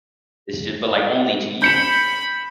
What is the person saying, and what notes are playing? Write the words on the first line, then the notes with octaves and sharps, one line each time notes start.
It's just but, like, only to you.
B5 G6 C#7 E7